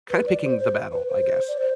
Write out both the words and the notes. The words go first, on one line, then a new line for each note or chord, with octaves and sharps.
kinda picking the battle, I guess.
B4
D5
C5
C5
B4
C5
D5
C5